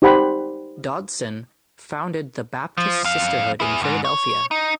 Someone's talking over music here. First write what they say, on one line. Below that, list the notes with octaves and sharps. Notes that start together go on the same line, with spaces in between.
Dodson founded the Baptist Sisterhood in Philadelphia.
D#4 G4 C5 F#5 B5 C6
F3
F2 F5
E4 G#4
D2 G#2
C#5
D#4